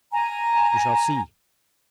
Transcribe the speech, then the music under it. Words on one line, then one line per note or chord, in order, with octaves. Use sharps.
We shall see.
G#5 A#5